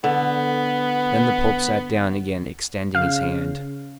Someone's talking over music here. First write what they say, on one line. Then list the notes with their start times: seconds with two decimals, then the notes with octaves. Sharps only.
Then the Pope sat down again, extending his hand.
0.04 D3 B3
2.95 C#3 F5